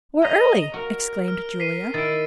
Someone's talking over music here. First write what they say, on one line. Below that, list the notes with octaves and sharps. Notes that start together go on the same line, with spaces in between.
"We're early!" exclaimed Julia.
D#5 A#5
F#4 A#4
F6
B6 C7 D#7
D#3 E4 A6 D7